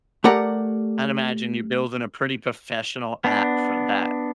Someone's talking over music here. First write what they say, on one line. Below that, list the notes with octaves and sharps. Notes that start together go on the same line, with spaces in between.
I'd imagine you're building a pretty professional app for that.
A3 G4 A#4 D5 F#5 A#5
B3 D4